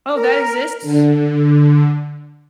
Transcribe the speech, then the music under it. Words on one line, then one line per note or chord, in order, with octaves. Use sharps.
Oh, that exists?
A#4
D3